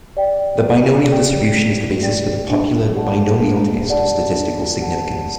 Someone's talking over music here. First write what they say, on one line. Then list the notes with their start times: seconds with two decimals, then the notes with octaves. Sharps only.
The binomial distribution is the basis for the popular binomial test of statistical significance.
0.17 G4 D5 G5
0.63 E4
1.10 G4 D5 G5
1.56 E4
2.03 G4 D5 G5
2.49 D4
2.95 G4 D5 F#5 A5
3.41 D4
3.88 G4 D5 F#5 A5
4.34 D4
4.81 G4 D5 F#5 A5